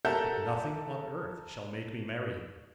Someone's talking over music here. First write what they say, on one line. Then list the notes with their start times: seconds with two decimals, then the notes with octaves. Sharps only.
But nothing on earth shall make me marry him.
0.05 A4 A#4 E5 F#5 A5 G6